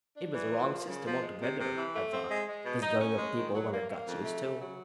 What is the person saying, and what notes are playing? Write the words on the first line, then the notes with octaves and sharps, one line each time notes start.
It was a wrong system altogether, I thought, this going of people one had got used to.
D4
E3
F3
A#3
C#3
F3
G#3
C3
C3
E3
A3
C4
G#3
G#3
B2
D#4
C#4
G#3
D#3
F#3
A#3
A#3
F2
A3
C#3
F#3